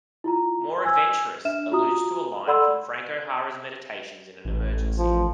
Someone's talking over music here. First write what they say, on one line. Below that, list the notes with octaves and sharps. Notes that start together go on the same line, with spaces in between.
"More Adventurous" alludes to a line from Frank O'Hara's Meditations in an Emergency.
E4 F4 A#5
G#5 E6 G#6
D4 E5 F6 E7
F4 F#4 A#5 D#6
A4 D5 F#5 B5 C6 E6
A1
F3